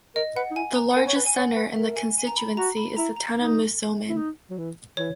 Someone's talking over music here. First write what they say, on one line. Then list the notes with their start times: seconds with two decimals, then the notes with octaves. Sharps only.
The largest centre in the constituency is the town of Moosomin.
0.16 A#4 D#5
0.36 B4 F#5
0.51 D#4
0.56 E4 G#5
0.76 A#5
0.91 F#5
0.96 A#4 G#5
1.07 C#5
1.16 B4
1.26 G#5
1.36 C#5 F#5
1.56 B4
1.76 A#4 E5
1.96 G#5
2.18 G#5
2.27 A#5
2.37 B5
2.57 F#4 A#5
2.77 B5
2.96 E4 A#5
3.16 A#5
3.37 D#4
4.09 E4
4.17 D#4
4.50 F#3
4.58 E3
4.97 E3 C#5